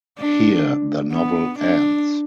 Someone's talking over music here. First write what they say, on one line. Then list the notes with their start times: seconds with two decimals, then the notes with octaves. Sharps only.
Here the novel ends.
0.19 D4
1.12 B3
1.58 D4